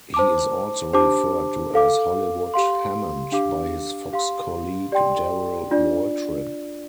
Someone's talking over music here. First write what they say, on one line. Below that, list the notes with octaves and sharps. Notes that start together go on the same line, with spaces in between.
He is also referred to as Hollywood Hammond by his Fox colleague Darrell Waltrip.
C5 A5 D6
D4 G4 C5 A5 D6
A4 F5 D6
G4 F5 C6
D4 G4 F5 D6
G4 F5 C6
G4 D5 G5 C6
D4 F4 D5